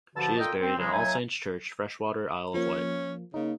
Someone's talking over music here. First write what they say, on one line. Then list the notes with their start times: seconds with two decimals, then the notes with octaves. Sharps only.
She is buried in All Saints' Church, Freshwater, Isle of Wight.
0.16 G2 D3 F3 F#4 A5
0.38 A#2 F4 A4 D#5 G5
0.61 C4
0.77 C#3 F#3 G#3
0.91 D#2 F#3 D#4 E5 G#5
2.54 F3 A#3 C#4
3.34 C#3 A#3 D#4